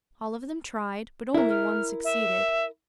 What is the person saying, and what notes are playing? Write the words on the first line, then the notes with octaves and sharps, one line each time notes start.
All of them tried, but only one succeeded.
E4 A#4
F6
E5